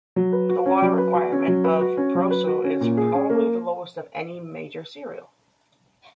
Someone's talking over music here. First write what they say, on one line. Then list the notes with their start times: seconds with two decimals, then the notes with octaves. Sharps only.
The water requirement of proso is probably the lowest of any major cereal.
0.16 F#3
0.32 B4
0.49 F#4
0.66 C#4
0.82 F#3
0.98 B4
1.15 F#4
1.32 C#4
1.48 F#3
1.64 B4
1.81 F#4
1.97 C#4
2.15 F#3
2.31 B4
2.47 F#4
2.64 C#4
2.81 A#2
2.97 G#4
3.14 C#4
3.30 A#3